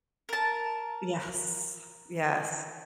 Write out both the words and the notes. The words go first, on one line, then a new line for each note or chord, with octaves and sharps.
Yes. Yes.
A#4 A5